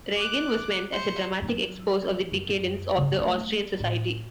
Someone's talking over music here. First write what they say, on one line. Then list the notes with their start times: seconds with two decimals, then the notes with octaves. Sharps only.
"Reigen" was meant as a dramatic expose of the decadence of the Austrian society.
0.17 D6 F#6
0.92 C5 C#7
1.42 F#3 D#4
2.32 F#2
2.97 G2 C#3
3.19 G3 A3
3.80 A2